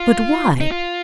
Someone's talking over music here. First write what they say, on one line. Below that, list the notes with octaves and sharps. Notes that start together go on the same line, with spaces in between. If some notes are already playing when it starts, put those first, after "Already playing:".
But why?
Already playing: F4
D#4
F4